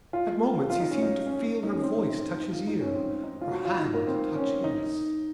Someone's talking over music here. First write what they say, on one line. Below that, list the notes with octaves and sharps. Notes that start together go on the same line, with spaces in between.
At moments he seemed to feel her voice touch his ear, her hand touch his.
F4
F4
D#4
C#4
D#4
C#4
D#4
C#4
C4
D#4
F4
D#4
C#4
C4
D#4
F4
F#4
F4
D#4
A#3
C4
C#4
D#4